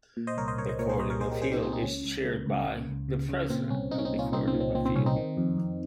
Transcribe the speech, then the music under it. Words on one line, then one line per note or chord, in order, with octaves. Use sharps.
The Court of Appeal is chaired by the President of the Court of Appeal.
A#2
C5 D#5
C2 A#4 C#5
C5 D#5
C2 A#4 C#5
C5 D#5
A#2 A#4 C#5
G#4 C5
A#2 C5 D#5
A#4 C#5
A#2 G#4 C5
G4 A#4
C2 G#4 C5
D#4 G4
A#2 C4 D#4
C4 D#4
C#2 C#4
C#2
C#2
C#2
C#2
C#2
C#3
C#3
A#2 C4
C2 C#4
C2 C4 D#4
C#4
C4 D#4
A#2
C#4 F4
C2 C4 D#4
C4
A#2
C4
A#2 C4
C4
C2 C#4
C4 D#4
D#3
F2
F2